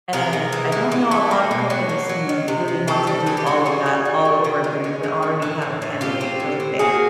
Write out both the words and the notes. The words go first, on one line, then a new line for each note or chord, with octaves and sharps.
and I don't know a lot of companies who really want to do all of that all over again when they already have a candidate right there.
C3 G#4 A#4
C3
E3
E3
E3
A3
A#3
B2
F#3
A#3
F#3
D#3
C3
C3
C4 G4 A4
G3
E3 G#4
G4
C#3 F#4 G#4
G3 F#4 G#4
G3
G3
G3
D#3
G#3
C#4
G#3
A2
E3
A2
A2
C4 F4 G4
C4
A2
C4
A#3 F#4 G#4